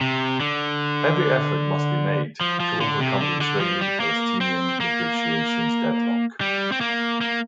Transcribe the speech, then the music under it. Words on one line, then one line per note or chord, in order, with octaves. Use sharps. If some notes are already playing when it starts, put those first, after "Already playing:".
Every effort must be made to overcome the Israeli-Palestinian negotiations deadlock.
C3
D3
F3
F3
D3
C3
D3
D3
F3
G3
A#3
C4
A#3
G3
C4
A#3
A#3